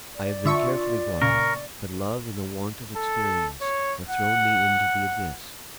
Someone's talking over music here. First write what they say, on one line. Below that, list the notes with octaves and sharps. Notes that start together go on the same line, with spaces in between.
I have been carefully brought up, but love and the want of experience have thrown me into the abyss.
D5
D3 F4 E5 C#6
A#2 C#3 A#4 C#6
A4
C#5
F#5